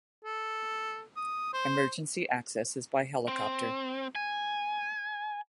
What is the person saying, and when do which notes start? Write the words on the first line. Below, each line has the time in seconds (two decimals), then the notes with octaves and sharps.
Emergency access is by helicopter.
0.25 A4
1.16 D#6
1.53 C5
3.28 C4
4.15 G#5